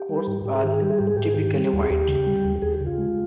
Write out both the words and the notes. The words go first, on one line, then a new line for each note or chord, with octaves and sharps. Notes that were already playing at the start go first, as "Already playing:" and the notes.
Courts are typically wide.
Already playing: G4
G3
G#2
G#2 G4
G#4
D#3 G4
G#4
G3 G4
G#4
G#2 G4
G#4
G#2 G4
G#4
D#3 G4
G3
D#2
G#4
D#2 G4
C#3
G3
D#2
D#2 G#4
G4
C#3
F4
G#3